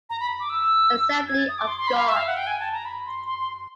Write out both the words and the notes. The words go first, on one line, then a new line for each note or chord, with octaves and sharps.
Assembly of God.
A#5
B5
D6
E6
G#6
A6
D#6
D6
C6
C6
B5
F5
E5
F5
F#5
G5
G#5
A5
A#5
B5
C6
C6
C6